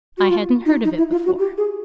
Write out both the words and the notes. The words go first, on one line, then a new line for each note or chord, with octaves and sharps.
I hadn't heard of it before.'
F#4
F4
D#4
D#4
E4
F4
F#4
G4
G#4